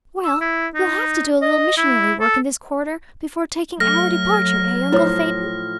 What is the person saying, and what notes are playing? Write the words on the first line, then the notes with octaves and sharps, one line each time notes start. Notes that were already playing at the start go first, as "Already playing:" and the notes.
"Well, we'll have to do a little missionary work in this quarter, before taking our departure, eh, uncle Phaeton?"
E6
E4
D#4
D#5
E4
A4
F#3 A3 F6 A#6
A2 F3 E4 C#5